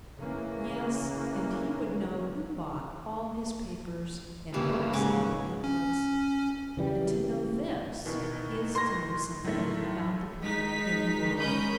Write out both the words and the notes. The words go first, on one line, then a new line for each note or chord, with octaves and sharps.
Yes, and he would know who bought all his papers and books and pamphlets, and to know this is to know something about the people in the world.
C#3 E3 A#3 C#4
F#2 C#3 E3 G3 A#3 G4
G#2 C#3 F#5 G#5
C#4
C#3 E3 G3
B2 D#3 E3
C6 A#6
A2 D#3 F#3 A3
G#3 D#4 B6
G#3 C#4 A#4 B5 D#6 G6